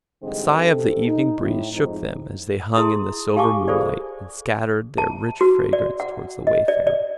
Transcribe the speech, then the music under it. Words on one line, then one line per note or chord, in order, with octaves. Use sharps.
A sigh of the evening breeze shook them as they hung in the silver moonlight, and scattered their rich fragrance towards the wayfarer.
G#2 D3 E3 G3 G#3 C4
C3 C4 D4 A4
D#4
A2
F2 G#2 D#4
E4 G#4 A5 C6 D#6
G4 F5 G#5 A5 C#6 D6
F4 G#4 A4 C5 D5
A5
F#4
D5
F#5
D#5
D5
D5